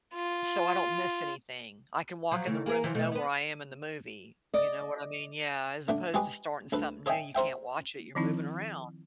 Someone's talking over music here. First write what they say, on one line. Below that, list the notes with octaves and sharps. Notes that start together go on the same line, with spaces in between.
i so I don't miss anything. I can walk in the room and know where I am in the movie, you know what I mean? Yeah, as opposed to starting something new, you can't watch it, you're moving around.
F4
F3 F#3
C#3 E3 A3
A#3 G#4 A#4
C3 E3 F3
B2 F3 A3
B3 B4
D5 D#5
D3 A3
G#3 G4 G#4 B4
D2 A4 B4
A4 C#5 D#5 E5 G5 G#5
A#4 C5 E5 G5
D#3 F3 C4 D#4 E4